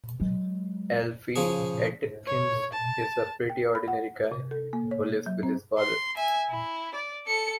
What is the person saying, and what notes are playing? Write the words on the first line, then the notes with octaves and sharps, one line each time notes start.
Alfie Atkins is a pretty ordinary guy, who lives with his father.
F#3 G#3
C#3 F3 G#4
C#5
A5
G5
B5
F#5
C3
A4
A#3
C#5
F#3
C4
C6
E5 G#5
E4
D5
A4 C#7